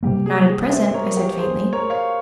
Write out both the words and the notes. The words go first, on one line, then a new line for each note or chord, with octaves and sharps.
"Not at present," I said faintly.
C3 G3 A#3 G4
G#4
G#4
C5 E5
A#4 C#5
G4 A#4
G#4 C5
A#4 C#5
C#5 F5